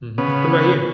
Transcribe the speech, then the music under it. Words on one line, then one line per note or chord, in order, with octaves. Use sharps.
Mhm. What about you?
C#3 B3